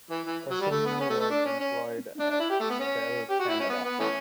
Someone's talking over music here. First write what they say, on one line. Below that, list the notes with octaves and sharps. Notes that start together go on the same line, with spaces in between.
Cousineau was employed at Bell Canada.
E3
E3
F#3
G3
A3
B3
C#4
A3
A3
D4
C#4
C#4
D4
D4
E4
G4
A3
B3
C#4
G4
F#4
E4
C#4
B3
B3
E3 A3 C#4